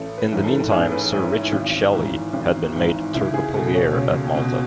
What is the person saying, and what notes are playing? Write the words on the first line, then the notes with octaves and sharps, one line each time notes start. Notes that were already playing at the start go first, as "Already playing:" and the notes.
In the meantime Sir Richard Shelley had been made turcopolier at Malta.
Already playing: A1 A4
B4
G#2 E3
A4
A1 G#4
B4
G#2 E3 C#5
E4
G#1
G#2 E3
G#1
G#2 E3
C#2 E4
G#4
B2 A4
C#5
C#2 C#5
B2